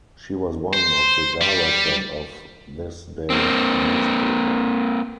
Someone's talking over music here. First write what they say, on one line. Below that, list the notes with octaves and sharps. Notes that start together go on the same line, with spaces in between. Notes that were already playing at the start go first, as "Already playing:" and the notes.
She was one of the directors of Thisday Newspaper.
C5
G3
A#3 C4